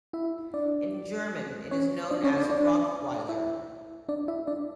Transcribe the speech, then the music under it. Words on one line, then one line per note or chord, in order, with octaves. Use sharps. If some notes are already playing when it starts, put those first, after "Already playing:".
In German it is known as "Rokwiler".
E4 E5
D4 D5
C#4 C#5
D4 D5
C#4 C#5
D4 D5
D4 D5
E4 E5
D4 D5
E4 E5
D4 D5